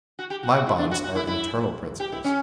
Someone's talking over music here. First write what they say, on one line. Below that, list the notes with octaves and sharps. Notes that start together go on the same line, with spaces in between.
My bonds are internal principles.
F#4
G4
F#4
F#4
E4
D4
F#4
F#4
E4
E4
G4
E4
C#4